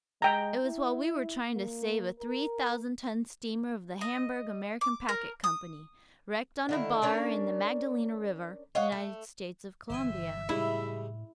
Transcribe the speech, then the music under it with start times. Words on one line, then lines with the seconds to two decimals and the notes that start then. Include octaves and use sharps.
It was while we were trying to save a three-thousand-ton steamer of the Hamburg-American Packet Company, wrecked on a bar in the Magdalena River, United States of Colombia.
0.22 G#3 G5 A#5
0.64 E4
1.55 A#3
2.19 A#4
4.01 D#5
4.81 D6
5.09 A#4
5.44 D#6
6.69 D3 D#3 E4
7.02 C#4 D4 A#4 D5
8.75 C#5 D#5 F5 F#5
8.92 A3
9.90 G1 B2 E3 C5 E5 G5 G#5
10.49 A2 C#3 G3 G#3 E4